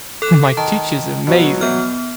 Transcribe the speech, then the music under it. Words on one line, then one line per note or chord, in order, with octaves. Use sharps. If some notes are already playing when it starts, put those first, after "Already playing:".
My teacher is amazing.
A4 F#6 E7
D#3 A5
B2 F#3
B3 F6